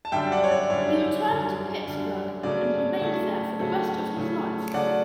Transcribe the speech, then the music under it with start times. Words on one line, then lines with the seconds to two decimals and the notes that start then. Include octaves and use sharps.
He returned to Pittsburgh and remained there for the rest of his life.
0.05 A5
0.12 F#2 D3 G3 D4 E5 G5
0.32 D5 F#5
0.44 C#5
0.51 D5
0.70 F#2 D3 G3 D4 C#5
1.28 F#2 D3 G3 D4
1.86 F#2 D3 G3 D4
2.43 C#3 F#3 A3 D5
3.01 C#3 F#3 A3
3.59 C#3 F#3 A3
4.16 C#3 F#3 A3
4.74 C#3 F#3 A3 D5 F#5